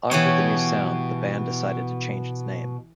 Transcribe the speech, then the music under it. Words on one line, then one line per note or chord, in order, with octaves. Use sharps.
Armed with a new sound, the band decided to change its name.
B2 E3 G4 C#5